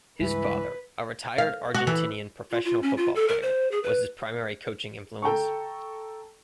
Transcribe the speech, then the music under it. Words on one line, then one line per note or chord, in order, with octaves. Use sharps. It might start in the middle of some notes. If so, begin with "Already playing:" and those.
His father, a retired Argentinian professional football player, was his primary coaching influence.
C#2 G2 E3 G#3 B4
F5
F#4
E3
F4
F4
C#4
F4
A4
A#4
C5
G#4
B4
A4 G5 A#5 C#6